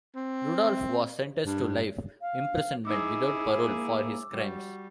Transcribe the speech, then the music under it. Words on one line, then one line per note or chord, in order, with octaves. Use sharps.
Rudolph was sentenced to life imprisonment without parole for his crimes.
C4
G2
F5
D#4 E4 G#4 D6 E6
A#3
G3 F#4